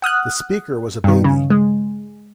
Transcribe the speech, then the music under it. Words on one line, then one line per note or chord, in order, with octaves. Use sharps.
The speaker was a baby!
F#5 D#6 F6 F#6
G2 D#3
C#3
G#3